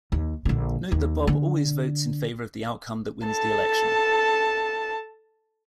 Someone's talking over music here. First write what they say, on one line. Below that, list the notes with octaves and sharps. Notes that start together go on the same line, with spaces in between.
Note that Bob always votes in favor of the outcome that wins the election.
D#2
A#1 D3
D#2
D3
A4 A5